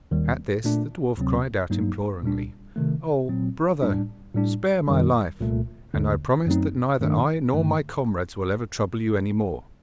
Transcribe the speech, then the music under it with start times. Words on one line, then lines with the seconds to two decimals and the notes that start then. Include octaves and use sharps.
At this the dwarf cried out imploringly, 'Oh, brother! spare my life, and I promise that neither I nor my comrades will ever trouble you any more.
0.11 D#2 D#3 G3
0.64 A#2 A3 D4
1.17 D2 C3 F#3 C4
1.70 G2 F#3 A#3 D#4
2.23 A#2 G3 D4
2.76 C3 D#3 A3
3.29 A#2 F#3 C4
3.82 A2 G3 D4
4.34 A2 G3 D4
4.88 F#2 D#3 G3
5.40 C2 A#2 A3
5.94 D#2 D3 A3
6.46 F#2 F#3 A3 C4 D#4
7.00 G2 D#3 A3 D4
7.53 G2 D3 A3